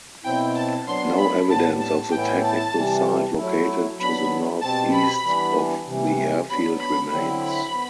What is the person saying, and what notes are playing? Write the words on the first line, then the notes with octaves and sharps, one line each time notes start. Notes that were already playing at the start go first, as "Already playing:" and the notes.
No evidence of the technical site located to the north-east of the airfield remains.
B2 F#3 C4 E4 G5
A5
F#3 B3 D4 C6
B5
A2 G3 B3 D4 A5
A5
A2 E3 B3 E4 G5
A5
C3 E3 G3
F#3 A3 E4
F#3 B3 D4 B5
B2 G3 C4 A5
B5
E3 G3 B3 D4
C3 E3 G3
F#3 B3 D4 B5
B5
D3 F#3 C4 E4 B5
B5
B3